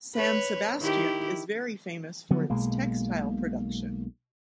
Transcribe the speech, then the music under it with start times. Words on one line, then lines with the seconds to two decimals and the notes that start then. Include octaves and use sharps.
San Sebastian is very famous for its textile production.
0.15 B4 C#5
0.79 D#3 E4 G4
2.30 D3 F3 F#3 B3
2.50 B1 B2 G#3 A#3